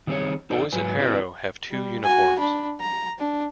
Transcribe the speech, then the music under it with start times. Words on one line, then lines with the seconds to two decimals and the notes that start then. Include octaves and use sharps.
Boys at Harrow have two uniforms.
0.07 D#3 G3 C4 G4 G#4 C#5
0.50 D#4 A4 C5 D5
0.73 G#2 F#3 B4 G#5
0.99 C4 E4 F#4 G4 B4 D5
1.71 G3
2.04 F#4 G#5
2.39 D4 B5
2.81 A#5
3.19 D4